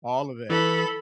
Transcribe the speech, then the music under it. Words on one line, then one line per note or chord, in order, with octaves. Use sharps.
All of it.
E3 A4 B5